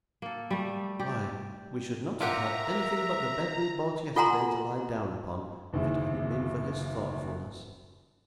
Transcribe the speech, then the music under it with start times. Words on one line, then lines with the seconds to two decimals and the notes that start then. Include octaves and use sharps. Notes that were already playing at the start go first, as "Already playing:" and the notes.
Why, we should not have had anything but the bed we bought yesterday, to lie down upon, if it hadn't been for his thoughtfulness!'
0.22 A#3 A4
0.51 G3 A3
0.99 G4 D5
2.21 F4 G4 A#4 E5 F#5 A#5
4.16 F4 A4 F#5 G#5 A#5 C6
5.73 F#1 D#2 D3 E4 G#4